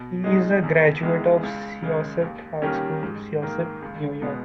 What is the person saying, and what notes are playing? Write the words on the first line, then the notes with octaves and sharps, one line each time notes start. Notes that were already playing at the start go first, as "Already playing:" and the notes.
He is a graduate of Syosset High School, Syosset, New York.
Already playing: B2
G#3 D#4
E2
D#3 G#3 B3 E4
C#2
C#3 G#3
D#2
D#3 G3 A#3 C#4
G#2
D#3 A#3
C#2
B2 G#3 B3